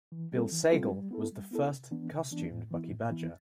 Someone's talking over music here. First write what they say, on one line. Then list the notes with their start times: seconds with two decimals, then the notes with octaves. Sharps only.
Bill Sagal was the first costumed Bucky Badger.
0.12 E3
0.32 G3 C4 F4 A4
0.52 E3
0.71 G3 C4 F4 A4
0.92 G3
1.11 B3 E4 A4
1.32 G3
1.51 B3 E4 A4
1.71 C3
1.91 E3 B3 D4
2.11 C3
2.31 E3 B3 D4
2.51 A2
2.71 E3 B3 E4
2.91 A2
3.11 E3 B3 E4